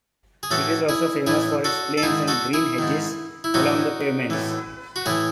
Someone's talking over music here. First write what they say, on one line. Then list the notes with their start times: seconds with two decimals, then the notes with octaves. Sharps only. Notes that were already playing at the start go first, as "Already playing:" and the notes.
It is also famous for its planes and green hedges along the pavements.
0.43 G#4
0.51 A2 E3 F#4 A4
0.89 E4 G#4
1.27 A2 E3 E4 G#4
1.64 F#4 A4
1.97 A4
2.02 G#2 D#3 E4 G#4
2.28 F#4 A4
2.53 E4 G#4
2.78 G#2 D#3
3.44 E4
3.54 A2 E3 D#4 F#4
4.30 A2 E3
4.96 F#4
5.06 A2 E3 E4 G#4